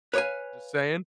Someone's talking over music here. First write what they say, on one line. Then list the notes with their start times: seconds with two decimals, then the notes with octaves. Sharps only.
Just saying.
0.13 B4 C#5 D5 F5 G#5